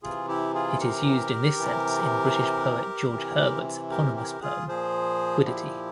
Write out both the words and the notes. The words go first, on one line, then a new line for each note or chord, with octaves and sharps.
It is used in this sense in British poet George Herbert's eponymous poem, "Quiddity".
C3 E3 F4 G#4
E4 G4
F4 G#4
G4 A#4
C3 E3
C3 E3
G4 A#4
G4 A#4
F4 G#4
A#2 F3 G#4 C5
E4 G4